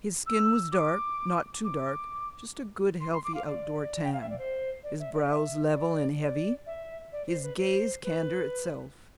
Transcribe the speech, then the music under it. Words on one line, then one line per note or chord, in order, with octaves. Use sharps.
His skin was dark--not too dark--just a good healthy out-door tan: his brows level and heavy, his gaze candour itself.
E6
D6
D6
C6
C6
D6
F5
D5
G5
F5
E5
D5
C5
D5
E5
D5
E5
D5
D5
E5
D5
C5
B4
C5
B4